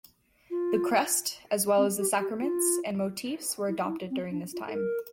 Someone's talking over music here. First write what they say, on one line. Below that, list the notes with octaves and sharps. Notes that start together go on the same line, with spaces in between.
The Crest, as well as the sacraments, and motifs were adopted during this time.
F4
C4
G4
G4
F4
E4
D4
E4
C4
D4
F4
A4
A#4